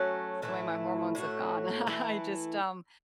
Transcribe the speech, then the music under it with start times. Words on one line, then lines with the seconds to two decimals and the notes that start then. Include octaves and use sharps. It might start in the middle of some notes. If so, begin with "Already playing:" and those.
the way my hormones have gone, I I just, um,
Already playing: F#3 A3 C#4 F#4
0.42 A2 E3 A3 E4
1.15 A2 A3 F#4
1.87 E3 A3 E4